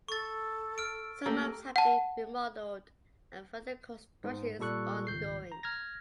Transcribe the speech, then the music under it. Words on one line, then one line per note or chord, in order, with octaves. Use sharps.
Some homes have been remodeled, and further construction is ongoing.
A4 C#6 A6
F6 D7
A3 A#3 G4
F#5 A5
G#2
A#2 G3 A4 C#6 F#6
G#1 C#2 G6 C7
A#5
F6 G#6 A#6